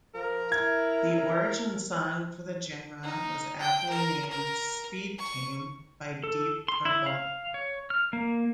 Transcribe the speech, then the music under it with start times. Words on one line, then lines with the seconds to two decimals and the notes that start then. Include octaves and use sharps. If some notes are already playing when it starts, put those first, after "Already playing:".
The origin song for the genre was aptly named "Speed King" by Deep Purple.
0.15 F3 A#4
0.52 E4 G#6
3.03 D#4
3.60 G5
3.89 A#4
4.30 A#4
5.18 C#6
6.24 A4
6.68 C6
6.85 E4
7.06 F5
7.54 C#5
7.90 F6
8.13 A#3